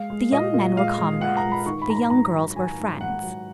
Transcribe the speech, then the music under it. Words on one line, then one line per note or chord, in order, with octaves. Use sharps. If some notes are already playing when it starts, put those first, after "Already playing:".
The young men were comrades; the young girls were friends.
Already playing: G#3 F5
G#3
A#2 D#5
A#2
G#3 F5
G#3
A#2 F#5
A#5
A#2
B5
D#3 C#6
B5
G#2 A#5
B5
G#2 A#5
F#3
D#3 G#5
G#2
G#2 F#5
F#3